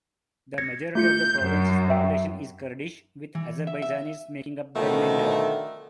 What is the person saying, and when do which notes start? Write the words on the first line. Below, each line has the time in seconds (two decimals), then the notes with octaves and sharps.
The majority of the province's population is Kurdish, with Azerbaijanis making up the remainder.
0.58 G#6 A#6 C#7
0.95 A3 F4 G6 C#7
1.41 F#2
1.90 E5 G5
3.35 E3
3.67 E5
3.82 E5
4.75 B2 D3 D#3 F3 A3